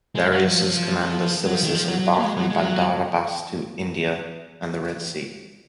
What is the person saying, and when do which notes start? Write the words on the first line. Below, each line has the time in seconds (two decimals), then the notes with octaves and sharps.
Darius's commander, Silacus, embarked from Bandar Abbas to India and the Red Sea.
0.15 G#3
0.32 F#3
0.48 F3
0.64 F3
1.46 F#3
1.55 F3
1.63 D#3
1.75 F3
1.88 F#3
1.99 F#3
2.13 F#3
2.19 A#3
2.24 G#3
2.37 F#3
2.50 G#3
2.61 F#3